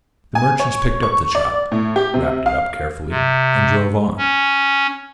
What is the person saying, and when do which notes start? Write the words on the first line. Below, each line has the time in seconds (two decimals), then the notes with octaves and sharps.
The merchants picked up the child, wrapped it up carefully, and drove on.
0.35 G#5
0.59 C#5
1.03 C#6
1.35 D5
1.72 A2
1.96 G4
2.14 C3
2.46 F5
3.10 C3
4.18 C#4